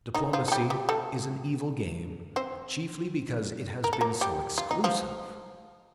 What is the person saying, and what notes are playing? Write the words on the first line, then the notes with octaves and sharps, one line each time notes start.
Diplomacy is an evil game, chiefly because it has been so exclusive.
D#3 D#4
F3 F4
A4
G3 G4
G3 G4
A3 A4
C4 C5
A#4
A4
A#3 A#4
G3 G4
F4
D#4
F3 F4